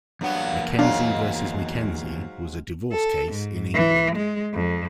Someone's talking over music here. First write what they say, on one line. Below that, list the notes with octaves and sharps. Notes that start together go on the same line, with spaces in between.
"McKenzie versus McKenzie" was a divorce case in England.
E2 G2 F#3 A#3 B3 F#5
G#2 F#3 D4 F5
A4
G#2
E3
G#3
F2